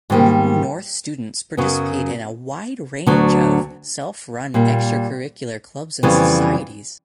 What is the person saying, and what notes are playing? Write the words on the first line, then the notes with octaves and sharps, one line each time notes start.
Newton North students participate in a wide range of self-run extracurricular clubs and societies.
G#2 D#3 G3 A#3
F#2 C#3 F#3 B3
D2 D3 F#3 B3
A#2 G3 A#3
F2 C#3 E3 G3 B3